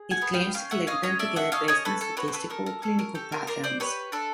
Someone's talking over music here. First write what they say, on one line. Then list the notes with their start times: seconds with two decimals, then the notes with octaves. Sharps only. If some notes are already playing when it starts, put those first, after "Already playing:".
It claims to collect them together based on statistical or clinical patterns.
Already playing: G#4
0.11 F#5 G#5
0.22 B3
0.34 F5 G5
0.54 C#4 F5 G5
0.71 E5 F#5
0.87 C#4 D#5 F5
1.03 C#5 D#5
1.19 A4 D5 E5
1.36 E5 F#5
1.52 C#4 D#5 F5
1.68 C#5 D#5
1.85 C#4 A4 B4
2.01 A4
2.17 F#4 B4 C#5
2.28 C5
2.33 A4 B4
2.50 A4 A#4
2.66 A#4
2.82 C#4 A4
2.99 A#4
3.15 G4 A4
3.32 A#4
3.47 D4 A#4 C5
3.64 C5 D5
3.80 G4 B4 C#5
4.12 D4 A4